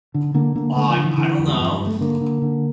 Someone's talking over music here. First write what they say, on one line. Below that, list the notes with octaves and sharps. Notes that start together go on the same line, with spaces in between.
Like, I don't know.
D3
D3 A#3
D3 A#3
D3 A3
F3
D3
E3
D3 E3
E2
G3
G2 F3
G3
G2
A3
D3 A#3
D3
D3